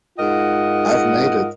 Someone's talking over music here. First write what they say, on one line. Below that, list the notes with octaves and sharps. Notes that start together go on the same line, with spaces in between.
I've made it.
G#2 F4 A#4 D#5 F#5